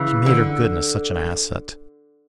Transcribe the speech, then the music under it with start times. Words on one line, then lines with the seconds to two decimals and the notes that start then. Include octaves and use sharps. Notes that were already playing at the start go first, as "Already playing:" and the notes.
She made her goodness such an asset.
Already playing: C#3 E3
0.26 D3